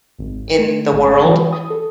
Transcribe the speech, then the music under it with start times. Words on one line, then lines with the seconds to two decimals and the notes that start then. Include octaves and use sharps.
in the world.
0.19 G#1
0.58 A3
0.93 G#1
1.25 E3
1.53 D#6
1.70 A4